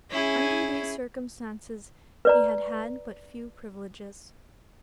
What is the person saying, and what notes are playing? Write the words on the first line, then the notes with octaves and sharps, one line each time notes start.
Under these circumstances he had had but few privileges.
C#4 E4 G#4
B4 D5 A#5